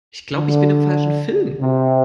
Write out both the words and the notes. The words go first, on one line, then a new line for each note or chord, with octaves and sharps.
Ich glaube, ich bin im falschen Film.
D3
C3